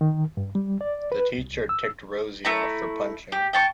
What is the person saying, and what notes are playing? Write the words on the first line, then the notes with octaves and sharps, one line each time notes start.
The teacher ticked Rosie off for punching.
D#3
G2
G3
D5
B4
C2
E6
A3 E4 A#5
G4
G5 A5 C#6